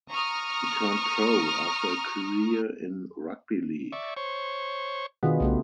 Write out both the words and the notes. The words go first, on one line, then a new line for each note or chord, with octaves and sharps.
He turned pro after a career in rugby league.
A#5 C#6 D#6 F6
D5 E5 C#6
C5 C#5 C#6
B2 D#3 D4 F4 G#4
B1 C#3 A3 G4